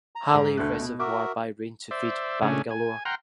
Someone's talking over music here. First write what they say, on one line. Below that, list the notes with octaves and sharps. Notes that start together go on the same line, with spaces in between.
Halli reservoir by rain to feed Bangalore.
A#5
G#2
D2 D3 A3 F#6
B2
F#4 A#4 E5 D6
C5 D5 E5
C#3 A3 C#4 D4 G#4
G#5
F#5 G5 A#5 C6 F6